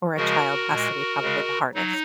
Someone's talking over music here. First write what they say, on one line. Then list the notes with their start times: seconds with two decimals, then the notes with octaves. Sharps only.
or a child has to be probably the hardest.
0.17 C#3 F3 G#3 F#4 A#4
0.69 A#2 G#3
1.22 C#3 G#3
1.74 F#3 D#4